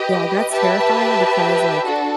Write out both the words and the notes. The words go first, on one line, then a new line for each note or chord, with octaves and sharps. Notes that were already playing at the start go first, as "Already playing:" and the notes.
Yeah, that's terrifying because, like,
Already playing: G4 B4 D#5
G4 B4 E5 A5
D4 F#4 A4